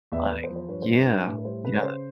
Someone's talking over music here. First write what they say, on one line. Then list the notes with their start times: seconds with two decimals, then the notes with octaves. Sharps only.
Like Yeah, yeah.
0.12 E2 D5 E5
0.31 E2 B4
0.44 C5
0.50 F3
0.56 C5
0.69 G2 B4 C#5
0.82 C5
0.88 G2
0.94 B4
1.07 D4
1.27 A2
1.38 B4
1.45 G3 C5
1.63 C#3 B4
1.74 C#5
1.83 C#3 C5